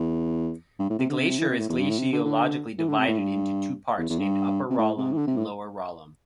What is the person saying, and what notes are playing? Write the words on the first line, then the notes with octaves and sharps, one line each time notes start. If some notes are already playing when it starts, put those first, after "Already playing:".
The glacier is glaciologically divided into two parts named Upper Ralam and Lower Ralam.
Already playing: E2
G2
A2
C3
D3
C3
C3
E3
C3
A2
E2
G2
A2
C3
D3
D3
E3
D3
C3
A2
G2
E2
E2
G2
C3
A2
C3
E3
D3
C3
A2